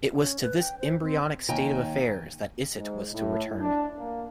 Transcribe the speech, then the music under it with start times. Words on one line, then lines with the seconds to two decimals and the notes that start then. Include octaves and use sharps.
It was to this embroyonic state of affairs that Isitt was to return.
0.15 C#4
0.41 B4
0.59 G5
0.80 C5
1.02 C4
1.49 D#2 G5 G#5 A#5
2.78 G#2
3.13 A2
3.60 D4
3.99 A#3